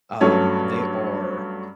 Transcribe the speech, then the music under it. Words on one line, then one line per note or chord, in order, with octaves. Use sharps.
um, they are
G2 F#3 A3 C#4